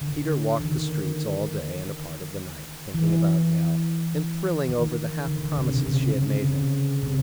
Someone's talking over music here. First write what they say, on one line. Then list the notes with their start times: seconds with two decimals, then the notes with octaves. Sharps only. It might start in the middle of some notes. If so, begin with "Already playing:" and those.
Peter walked the streets all day and a part of the night, thinking about Nell, and thrilling over the half promises she had made him.
0.01 D3
0.60 D#3
2.95 E3
4.69 D#3
5.28 D3
5.57 C3
5.77 C3
5.86 C#3
6.45 C#3
7.03 C3